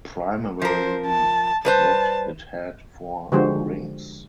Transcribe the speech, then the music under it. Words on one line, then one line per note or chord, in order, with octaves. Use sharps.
Primarily that it had four rings.
F3 A#4 C5
A5
G3 B4 C5 A5
D3 F3 G#3 F#4 G4 C5